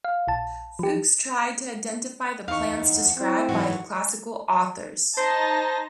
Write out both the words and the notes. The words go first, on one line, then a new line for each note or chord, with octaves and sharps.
Fuchs tried to identify the plants described by the classical authors.
F5
A#1 A5
F3 G4
E2 D#4 F5 C#6
F#5
C4 E4
G#2 E3 F#3 F#4
D#4 C5 A5 A#6